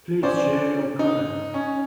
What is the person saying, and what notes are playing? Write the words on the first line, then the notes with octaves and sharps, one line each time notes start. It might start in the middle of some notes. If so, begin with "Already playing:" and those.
Please share your comments.
C#4 C5 D5
D#4
C#4